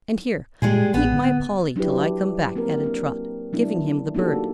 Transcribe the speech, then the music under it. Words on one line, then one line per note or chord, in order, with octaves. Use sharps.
"And here--keep my polly till I come back," added Trot, giving him the bird.
A#2 G3 G#3 G#4
A1 B3
D3
F#3 D4 E4 G4 B4
A#3 C4 A#4
C4 D4
F#3 B3 D4 E4
A#3 D4 D#4 F#4 G4 A4